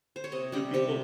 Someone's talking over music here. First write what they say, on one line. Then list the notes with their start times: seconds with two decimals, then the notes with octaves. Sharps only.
do people
0.16 C5
0.24 C#5
0.32 C3 D#5
0.52 G3 G4
0.74 C3 G4